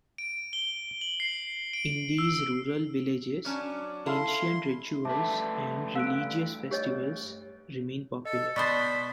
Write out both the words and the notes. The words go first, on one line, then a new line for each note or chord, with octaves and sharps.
In these rural villages, ancient rituals and religious festivals remain popular.
D7
G7
F#7
C7
D7
E6
F#3 C#4 D4
E4 A4 F5 C6
G2 A3 B4 E5 A5 D6
F5 E6 F#6 D7
G4 C#5 D#5
A4 D#5
B2 B3 C5 D5 B5 C#6 A6